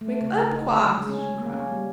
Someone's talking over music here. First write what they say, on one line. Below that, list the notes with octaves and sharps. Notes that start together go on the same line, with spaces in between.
"Wake up, Quox!" she cried.
A3
C#3
C#3
D#4
D3
G#3
C#4
A#3
C#4
G3